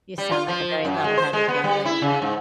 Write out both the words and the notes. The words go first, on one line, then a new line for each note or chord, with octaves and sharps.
You sound like a very level-headed young lady.
G3
F4
F3
F#2
G#3
C5
G#3
B3
G3
E4
C#3
G#2